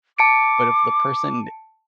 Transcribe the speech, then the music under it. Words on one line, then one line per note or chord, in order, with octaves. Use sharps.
but if the person,
A5 D6 C#7 D7